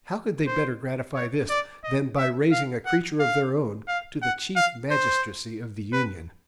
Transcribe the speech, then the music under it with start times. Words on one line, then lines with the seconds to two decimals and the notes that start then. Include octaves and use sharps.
How could they better gratify this, than by raising a creature of their own to the chief magistracy of the Union?
0.47 C5
1.15 C#5
1.49 D5
1.84 D#5
2.18 E5
2.52 F5
2.86 F#5
3.20 F5
3.88 F5
4.22 F#5
4.56 F5
4.91 C5
5.93 B4